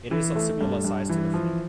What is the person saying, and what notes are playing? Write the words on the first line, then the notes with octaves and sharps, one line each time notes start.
It is of similar size to the Fleet.
E3
A3
G2
G2
E3
F3